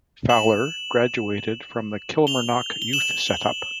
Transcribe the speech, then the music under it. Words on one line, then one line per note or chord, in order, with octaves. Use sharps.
Fowler graduated from the Kilmarnock youth setup.
E7 F#7
F7 G7
G7
E7 F#7